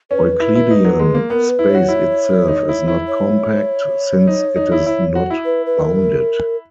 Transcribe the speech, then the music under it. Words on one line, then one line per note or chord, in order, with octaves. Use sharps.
Euclidean space itself is not compact since it is not bounded.
C#4 B4
E4
E4
D#4
F#3
G#3
A#3
B3 A#4
B4
E4
F#4 C#5
E4
D#4
E4
E4
C#5
D#4
D#4
E4
E4
F#4
E4
B4
B4
A#4